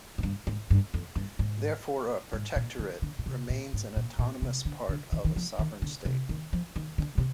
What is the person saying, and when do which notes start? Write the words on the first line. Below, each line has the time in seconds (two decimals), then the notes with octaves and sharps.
Therefore, a protectorate remains an autonomous part of a sovereign state.
0.18 G#2
0.23 G2
0.47 G#2
0.70 G2
0.94 F2
1.16 G2
1.39 G#2
2.33 G#2
2.56 A#2
2.79 D3
3.02 D3
3.19 A#2
3.26 C3
3.50 A#2
3.73 G#2
3.97 A#2
4.19 A#2
4.42 C3
4.65 D3
4.89 D3
5.12 D#3
5.25 D#3
5.36 F3
5.59 D#3
5.82 D3
6.05 C3
6.29 D#3
6.53 F3
6.76 D#3
6.98 D3
7.18 C3